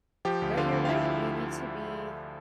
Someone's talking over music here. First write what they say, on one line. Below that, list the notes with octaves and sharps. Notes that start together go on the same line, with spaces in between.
But you're right. We need to be,
F3 G4 G5
D2
D3 F4 F5
D2
F5
F3 E4 E5